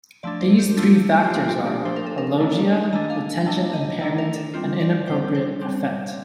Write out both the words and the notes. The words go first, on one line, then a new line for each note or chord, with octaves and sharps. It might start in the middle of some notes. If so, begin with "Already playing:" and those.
These three factors are: alogia, attention impairment, and inappropriate affect.
F3 A3 D4 D5
C5
G4
F3 A3 D4 F4
G4
A4
F4
F3 A3 D4 G4
F4
G4
G4
F3 A3 D4 C5
A#4
A4
A#4
D#3 A3 D4
D#3 A3 D4 D#5
F5
G5
D#3 A3 D4 A5
D#5
D#3 A3 D4 D5
A#4
A4
G3 C4 F4
D5
G3 C4 C5
C5
G3 C4